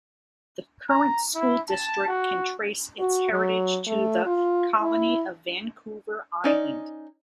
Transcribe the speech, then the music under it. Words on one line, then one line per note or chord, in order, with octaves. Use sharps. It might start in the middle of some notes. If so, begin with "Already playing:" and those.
The current school district can trace its heritage to the Colony of Vancouver Island.
A#5
E4
A5
F#4
F#4
F#3
A3
F4
E4
C#4 D#4 D5